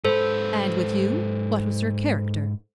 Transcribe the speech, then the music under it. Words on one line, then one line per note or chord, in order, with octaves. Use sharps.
"And with you, what was her character?"
G#2 A4 B4 C5